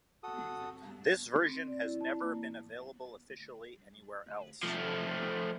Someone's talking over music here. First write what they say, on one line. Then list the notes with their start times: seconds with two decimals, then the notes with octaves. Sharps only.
This version has never been available officially anywhere else.
0.23 F#4 A4 D#6
1.47 C4
1.67 D5
1.83 E4
2.01 A5
2.20 A#3
4.63 F3 A3